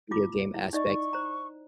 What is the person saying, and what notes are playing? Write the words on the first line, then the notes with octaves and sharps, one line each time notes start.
video game aspect,
E4 F4 D6
E4
D#4 D5 D#5 C#6
C5 A#5